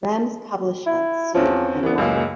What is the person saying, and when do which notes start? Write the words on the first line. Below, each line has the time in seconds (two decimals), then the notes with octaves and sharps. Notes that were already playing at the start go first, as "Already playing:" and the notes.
Ram's publisher sued and won.
0.86 E4
1.34 E2 F3 C4 C#4
1.83 C2 E3 B3
1.98 C#2 F#2 G#3 A#3